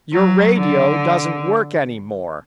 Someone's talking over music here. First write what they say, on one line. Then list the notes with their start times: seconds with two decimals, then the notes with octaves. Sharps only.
Your radio doesn't work any more.
0.12 F#3
0.56 D3